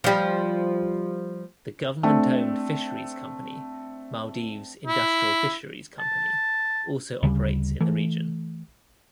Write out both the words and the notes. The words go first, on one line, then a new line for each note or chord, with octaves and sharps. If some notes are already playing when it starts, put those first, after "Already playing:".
The government owned fisheries company, Maldives Industrial Fisheries Company also operates in the region.
F3 G3
A3 C4 D4
E4
A5
D2 C#3 F#3 G3
E3 A3